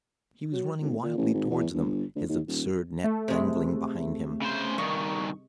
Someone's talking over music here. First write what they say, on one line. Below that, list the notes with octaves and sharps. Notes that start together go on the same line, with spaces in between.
He was running wildly towards them, his absurd net dangling behind him.
F#3
G#1
A#2
A1
G#1
E2
G1
D2
D#2
D#1
A3
C3 G#3
C#3 C5
G2 D#3 D#5 C#6